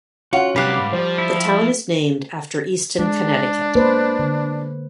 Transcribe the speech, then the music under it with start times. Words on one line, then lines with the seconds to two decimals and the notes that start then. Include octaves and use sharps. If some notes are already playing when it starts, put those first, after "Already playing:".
The town is named after Easton, Connecticut.
0.33 C#4 F4 F#4 F#5
0.56 C3 F#3 G3 G4 B4 F5 F#6
0.79 G#2
0.93 F3 C5
1.18 E4
2.99 G#3 D4
3.75 A#3 B4 C5
4.19 D3